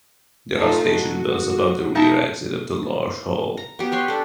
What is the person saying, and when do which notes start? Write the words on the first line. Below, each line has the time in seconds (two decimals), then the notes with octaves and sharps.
There are station bells above the rear exit of the large hall.
0.57 A3 D#4 F4
0.91 F#4
1.95 D#4 E5 A5
3.57 A#5
3.79 B3 G4
3.92 B4 C#5 C6
4.08 D4 A4